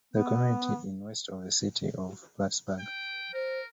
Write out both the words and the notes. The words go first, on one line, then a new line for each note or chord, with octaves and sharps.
The community is west of the city of Plattsburgh.
B3
G5
A#4 C5